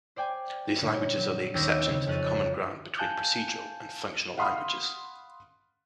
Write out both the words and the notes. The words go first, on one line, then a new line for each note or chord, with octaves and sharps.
These languages are the exception to the common ground between procedural and functional languages.
C5 D5 G5 G#5
A#2 D3 G3 C#4
F#3 G3
D#2 B3 C#4 E6 G6 A#6
C#3 C4
F2 C#4 F6 F#6 A6 D#7
F5 G#5 A5 F#6 G6
F5 F#5 B5 C6 D#6 F6